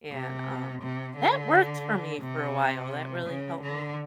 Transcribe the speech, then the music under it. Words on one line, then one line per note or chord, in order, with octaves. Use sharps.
And, um, that worked for me for a while, that really helped me
C3
C3
D3
C3
C#3
D3